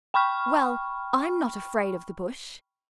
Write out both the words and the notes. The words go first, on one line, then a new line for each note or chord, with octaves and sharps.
"Well, I'm not afraid of the Bush."
G5 B5 C#6 F6